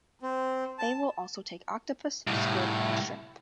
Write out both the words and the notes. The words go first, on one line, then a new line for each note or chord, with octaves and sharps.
They will also take octopus, squid and shrimp.
C4
A5
C2 A2